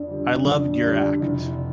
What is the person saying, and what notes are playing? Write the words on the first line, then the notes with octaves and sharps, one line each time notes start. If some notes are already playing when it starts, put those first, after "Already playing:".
I loved your act.
Already playing: F2 D4
D3 G3
F2
D3 G3
F1 E4